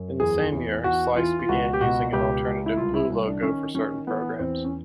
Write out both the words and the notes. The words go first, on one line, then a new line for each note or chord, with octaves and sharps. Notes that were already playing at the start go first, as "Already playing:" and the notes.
In the same year, Slice began using an alternative blue logo for certain programs.
Already playing: F#2
E2 G#4
E2
E2 F#4
E3 F4
F4
C#2 F#4
G4
B2 F#4
C#2 G4
C#2
E4
C2 F4
E4
C2
D4
D#3 C#4
D#3 C#4
E3 B3
E2 C4
C#4